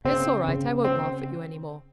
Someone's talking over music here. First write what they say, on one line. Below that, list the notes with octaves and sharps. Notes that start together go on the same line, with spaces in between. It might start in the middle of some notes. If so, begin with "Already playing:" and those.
It's all right; I won't laugh at you any more.
C#3 C4
C#3
C4